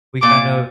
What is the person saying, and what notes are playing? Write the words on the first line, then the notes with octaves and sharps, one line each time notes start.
we kind of
A#2 D6